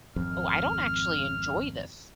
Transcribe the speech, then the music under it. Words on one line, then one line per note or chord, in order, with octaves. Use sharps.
"Oh, I don't actually enjoy this
G#1 F2 F6